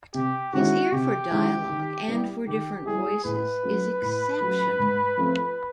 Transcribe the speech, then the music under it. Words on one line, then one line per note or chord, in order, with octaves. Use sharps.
His ear for dialogue, and for different voices, is exceptional.
C3 G4
D#3 G#3 C#4 E4 F#4
C3 G4
D#3 G#3 C#4 E4
D#3
G3 B3 E4
D#3 G4
G3 B3 E4 G#4
A2 B4
F#3 A3 C#4 F4
A2
F#3 A3 C#4 F4
G#2
F3 A3 C4 F4